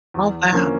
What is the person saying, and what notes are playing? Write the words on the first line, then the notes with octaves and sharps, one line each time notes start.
Oh, wow.
E2
D3 F3 A#3 C#4